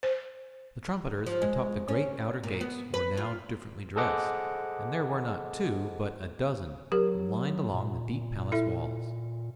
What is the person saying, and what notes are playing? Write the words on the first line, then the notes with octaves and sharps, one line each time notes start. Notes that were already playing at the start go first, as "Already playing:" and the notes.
The trumpeters atop the great outer gates were now differently dressed, and there were not two but a dozen lined along the deep palace walls.
C5
F3
G#3
C#4
A#2
B3
B4
F4
G#4 A4 C5 D#5 F#5 D6
F#3 G4 A#4
A#2
A#2
E4 A4 E5